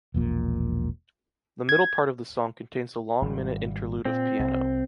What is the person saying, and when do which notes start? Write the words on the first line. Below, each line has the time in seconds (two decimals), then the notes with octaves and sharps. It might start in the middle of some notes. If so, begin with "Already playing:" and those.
The middle part of the song contains a long minute interlude of piano.
0.14 E1 A#1 A#2
1.69 G#6
3.22 G#1 G3
4.05 A#2 C4
4.39 C2